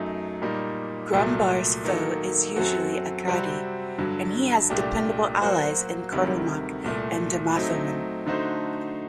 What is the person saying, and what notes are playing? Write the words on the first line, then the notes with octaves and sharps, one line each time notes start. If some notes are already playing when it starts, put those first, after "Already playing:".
Grumbar's foe is usually Akadi, and he has dependable allies in Kurtulmak and Dumathoin.
Already playing: F#2 F#3 A3 D#4
A#2 G3 A#3 D#4
C2 A#2 F#3 A3
D#3 F#3 A#3 D#4 A4
F#2 F#3 C4 F#4 A4
C3 G3 C4 F#4
G2 D3 F#3
C2 A#2 A3 D4 G4
F#3 A#3 F#4 C5
D2 C3 D#3 G3
C2 A#2 A3
F#3 A3 C4 D#4
D3 A3 D#4 F#4 C5